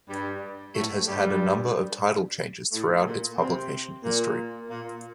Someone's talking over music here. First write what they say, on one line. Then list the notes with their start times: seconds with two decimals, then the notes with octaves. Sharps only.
It has had a number of title changes throughout its publication history.
0.08 G2 G3
0.74 A2 A3
1.06 G2 G3
2.71 A2 A3
3.04 A#2 A#3
3.37 C3 C4
4.02 A#2 A#3
4.68 A#2 A#3